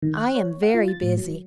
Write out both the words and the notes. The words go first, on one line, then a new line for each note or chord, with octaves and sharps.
I am very busy.'
D#3
F#6
C#5
F#5
F4
A6
A2
F#3